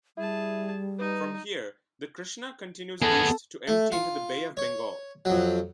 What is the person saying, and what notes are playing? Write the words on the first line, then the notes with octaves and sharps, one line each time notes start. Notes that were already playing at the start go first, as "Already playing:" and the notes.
From here the Krishna continues east to empty into the Bay of Bengal.
G3 E4 G#4 A5
D#4 B4
B3 G#4 A4
A3
F4
C#5
F2 F#3